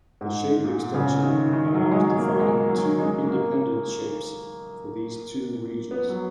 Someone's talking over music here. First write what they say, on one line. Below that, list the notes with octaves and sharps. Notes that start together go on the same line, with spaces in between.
The shape extension allows defining two independent shapes for these two regions.
G#2
A#2
C#3
D#3
D#3
F#3
G#3
F#3
G#3
A#3
G#3
F#3
G#3
A#3
B3
F#3